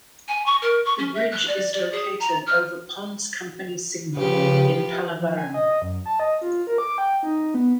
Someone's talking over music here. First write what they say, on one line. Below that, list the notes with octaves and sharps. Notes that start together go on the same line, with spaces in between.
The Bridge is located over Ponds Company Signal in Pallavaram.
G#5
C#6
A#4
C#6
C#4
E5
F#6
D5
D5
G#4
A#5
F6
C#3 F3 G4 B4
F3
G#5
D#5
F#2
A5
D#5
F4
A#4
D6
G5
D#4
B3